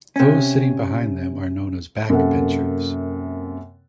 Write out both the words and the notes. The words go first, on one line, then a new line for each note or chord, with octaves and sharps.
Those sitting behind them are known as backbenchers.
C3 C#4
F#2 C3 A#3 A4 F#5